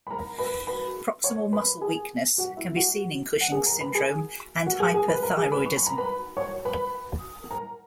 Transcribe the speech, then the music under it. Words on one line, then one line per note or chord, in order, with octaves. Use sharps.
Proximal muscle weakness can be seen in Cushing's syndrome and hyperthyroidism.
B5
A#4 A#5
B4 B5
B4 B5
C#5 C#6
B4 B5
G#4 G#5
F#4 F#5
E4 E5
F#4 F#5
F#5
G#4 G#5
A#4 A#5
B4 B5
G#4 G#5
F#4 F#5
G#4 G#5
G#4 G#5
B4 B5
A#4 A#5
G#4 G#5
B4 B5
C#6
B5
A#5
B4 B5
C#5 C#6
B4 B5
A#4 A#5